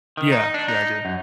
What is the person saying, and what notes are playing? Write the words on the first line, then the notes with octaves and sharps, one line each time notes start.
Yeah, yeah, I do.
D#3
D#4
D4
D#4
F#2